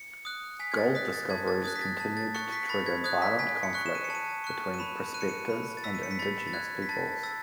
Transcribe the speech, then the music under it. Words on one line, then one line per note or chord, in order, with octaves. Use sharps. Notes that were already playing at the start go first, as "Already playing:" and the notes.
Gold discoveries continued to trigger violent conflict between prospectores and indigenous peoples.
Already playing: C#7
D#6 F#6
G#5 B6
G#6
A6
D#6 F#6 B6
A6
A5 G#6
A6
D#6 F#6 G#6
B6
A6
A5 A6
A6
C#6 F#6 C#7
B6
B5 A6
G#6
D#6 F#6 G#6
B6
G#5 B6
C#7
C#6 F#6
E7
D#7
C#7
A5 D#7
C#6 F#6
D#7
B5 E7
F#6 D#7
C#7
D#7
B5
A6
E6 B6
D#7
C#7
B6
B5 A6
A6
F#6 G#6
B6
A5 A6
E6 A6